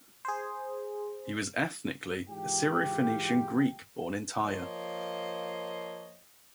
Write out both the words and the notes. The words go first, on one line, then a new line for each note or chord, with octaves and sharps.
He was ethnically a Syro-Phoenician Greek born in Tyre.
G#4 C5
G#2 E3 F4 G4 G5
F3 A#3 C5 C#5 D#5